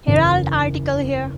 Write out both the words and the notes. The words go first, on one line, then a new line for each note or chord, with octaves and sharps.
Herald article here.
F#1 E2 C#3